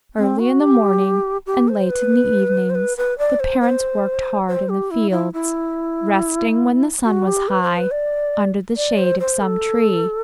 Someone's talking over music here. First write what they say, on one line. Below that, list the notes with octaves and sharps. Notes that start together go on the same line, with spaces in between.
Early in the morning and late in the evenings the parents worked hard in the fields, resting, when the sun was high, under the shade of some tree.
C4
F#4
G4
G4
C5
B4
C5
B4
B4
D5
C5
C5
C5
G4
E4
E4
E4
F#4
G4
B4
C5
B4
D5
D5
C5
C5
A4